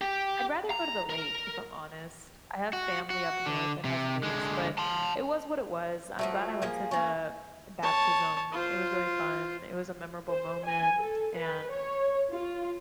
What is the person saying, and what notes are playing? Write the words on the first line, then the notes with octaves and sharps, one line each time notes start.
I'd rather go to the lake, if I'm honest. I have family up north that has lakes, but it was what it was. I'm glad I went to the, eh, baptism; it was really fun. It was a memorable moment, and
G4
A#5
A#4
F#4
F#4
D3
C3
D3 G#3
A5 C6
F3 F#3 A3
F3 A#3 G#4
A#3 C#4
C#5 A5
F4 C5
C5
G#5
A4
B4
C#5
F4